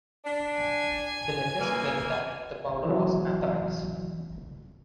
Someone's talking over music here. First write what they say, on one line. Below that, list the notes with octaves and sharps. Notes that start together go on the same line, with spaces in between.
The letters claimed that the powder was anthrax.
D4
G#5
F2 E3 A#3
E3 F#3